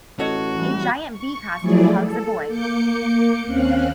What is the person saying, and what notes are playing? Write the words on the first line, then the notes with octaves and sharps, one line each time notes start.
A giant bee costume hugs a boy.
A1 F#4 A4 C#5 D#5
E3 G3
C#6
F3 F#3 A3 E4 G#4 D5
A4
A#3 D6 G6 C#7
D#2 C4 C#4 F5 F#6